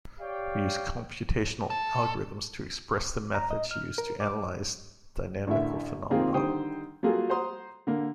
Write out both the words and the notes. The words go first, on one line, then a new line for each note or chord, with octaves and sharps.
We use computational algorithms to express the methods used to analyze dynamical phenomena.
G4 C#5 D5 F5 G5
A4
A#5
D#5
F6
A#4
D6
A1 D3 E4 A#4 E5
D#3 A#3 C4 F4 G#4
D3 D#3 G3 C5 G5 D#6
F#3 G3 A#3 F4 G#4 A4
C5 F#5 A#5 C6 D#6
D3 A#3